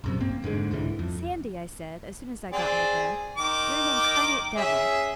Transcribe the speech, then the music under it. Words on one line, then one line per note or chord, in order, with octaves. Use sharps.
'Sandy,' I said, as soon as I got my breath, 'you're an incarnate devil.
A#1 F#2 C3
G2 A#3 C4
F1 G#2 D3 G#3
C2 G#2 D3 E3
F2
C4 G#4 D5
D#3 D6
C#4 G#4 E5